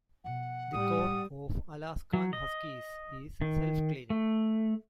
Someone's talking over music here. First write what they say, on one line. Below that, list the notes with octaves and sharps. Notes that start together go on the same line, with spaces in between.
The coat of Alaskan Huskies is self-cleaning.
B2 F3 F#5
A2 G3 D#4 D#6
F#3
D#5
D#3
A3